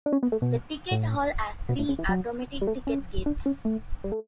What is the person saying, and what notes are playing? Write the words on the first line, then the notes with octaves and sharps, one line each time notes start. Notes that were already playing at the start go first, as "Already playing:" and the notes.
The ticket hall has three automatic ticket gates.
D4
C#4
B3
A3
B2
A2
B2
A2
C#3
E3
F#3
G3
A3
C#4
D4
C#4
A3
G3
A3